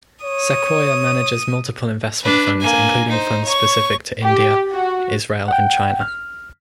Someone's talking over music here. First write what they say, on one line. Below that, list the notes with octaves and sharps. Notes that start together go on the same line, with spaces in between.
Sequoia manages multiple investment funds including funds specific to India, Israel, and China.
C#5 D#6
D4 B4
A#3 G#5
D#4 C5
C#5 C#6
G4
F#4
F#5 G5
F6